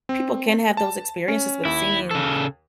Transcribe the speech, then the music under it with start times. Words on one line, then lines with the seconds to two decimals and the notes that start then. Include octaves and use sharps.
people can have those experiences with seeing
0.09 C4
0.77 A5
1.28 C#4
1.65 D#2 E4
2.11 C#3 A4